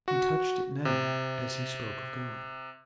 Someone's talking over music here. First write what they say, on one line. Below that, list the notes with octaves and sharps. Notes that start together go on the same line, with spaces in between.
He touched it now as he spoke of going.
F#4
C3